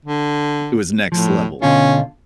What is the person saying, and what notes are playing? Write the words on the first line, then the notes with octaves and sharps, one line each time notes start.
it was next level,
D3
A2 F3
B2 D3 C#4 F4